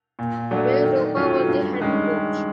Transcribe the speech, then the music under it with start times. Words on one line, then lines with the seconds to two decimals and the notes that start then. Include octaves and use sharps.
Bill Roper was the head coach.
0.19 A#2
0.51 F#3 A3 D4 F#4
0.83 D#3
1.16 F#3 A3 C#4 F4
1.48 G2
1.80 D#3 G#3 C#4